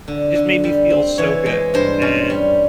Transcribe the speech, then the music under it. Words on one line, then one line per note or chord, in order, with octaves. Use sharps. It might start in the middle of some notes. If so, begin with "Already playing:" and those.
just made me feel so good. And
D3
D3
G3
C4
E3 C#5
G#3
G2 C5
C#4
G3